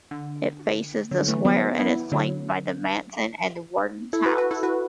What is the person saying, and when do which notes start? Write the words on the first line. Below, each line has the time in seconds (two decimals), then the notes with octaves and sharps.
It faces the square and is flanked by the Manse and the Warden's House.
0.11 D3
1.11 D3 F#3
1.28 E3 A3
1.45 F#3 B3
1.79 B3 E4
2.12 D3 F#3
4.13 E4 A4
4.26 F#4 B4
4.32 A4
4.38 F#4 B4
4.51 E4 A4
4.63 F#4 B4